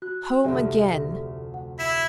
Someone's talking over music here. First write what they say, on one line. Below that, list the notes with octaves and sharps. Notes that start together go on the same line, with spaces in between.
Home again!
F#4 F#6
F1 D2 G4 D5 E5
F#5
E4 B6 E7